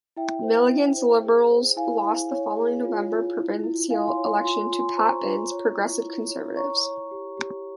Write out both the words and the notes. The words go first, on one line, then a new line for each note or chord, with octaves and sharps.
Milligan's Liberals lost the following November provincial election to Pat Binns' Progressive Conservatives.
E4 E5 G5
C5
E4
C5
G#4
C5
E4 F5 G#5
E4
C#5
G#4
F4
F4
E4
E4
E4 F5 G#5
G#5 C6
C#5
G#5 C6
F4 G#5 C6
F4
G#5 C6
C5 A#5 C#6
F4
C#5
E4
E4
C#5
C#5 A#5 C#6
C#5
G4
G4